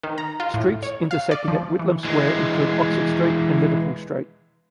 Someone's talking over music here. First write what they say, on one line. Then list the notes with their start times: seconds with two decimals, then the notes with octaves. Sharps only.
Streets intersecting at Whitlam Square include Oxford Street and Liverpool Street.
0.03 D#3
0.18 A#5
0.40 F4
0.54 A2
0.83 C#5
1.11 F5
1.31 D5
1.48 F3
1.79 E3
2.05 E3 G#3